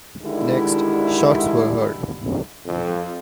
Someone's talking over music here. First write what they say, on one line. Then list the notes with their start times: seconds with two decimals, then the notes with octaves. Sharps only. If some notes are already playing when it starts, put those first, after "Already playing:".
Next, shots were heard.
0.21 D3 D#3 G3 G#3 E4
2.65 F2